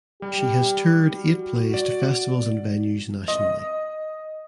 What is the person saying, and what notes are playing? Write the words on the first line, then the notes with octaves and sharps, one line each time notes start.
She has toured eight plays to festivals and venues nationally.
G3 G4
F#4
D5
D#5